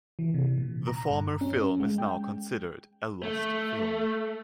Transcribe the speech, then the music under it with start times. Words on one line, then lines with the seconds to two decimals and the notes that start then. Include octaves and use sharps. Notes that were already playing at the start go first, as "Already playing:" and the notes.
The former film is now considered a lost film.
0.19 E3
0.34 C3
0.58 A#2
0.87 A#5
1.10 G2
1.41 C#4
1.80 G#3
1.98 G5
3.23 A3